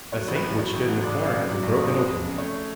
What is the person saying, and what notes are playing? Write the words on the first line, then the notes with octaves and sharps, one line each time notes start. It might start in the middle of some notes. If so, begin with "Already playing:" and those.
A safe which stood in a corner had been broken open.
F#3 C#5
A1
B4
A2
F#3 C#5
A1
G#2
G#3 D5
F#2
F5
C#3
F#3 D5
B1
B2
G#3
F2
C#3
A3 C#5